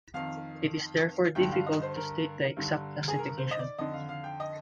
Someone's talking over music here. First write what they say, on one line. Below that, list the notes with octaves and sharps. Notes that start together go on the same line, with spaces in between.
It is therefore difficult to state the exact classification.
F2 D#3 F5
G2 D3 G5
F5
D#5
C5
A#4
G2 D3
G#4
A#4
C5
D#5
D5
F2 D3 D#5
F5
F5
G5
D#5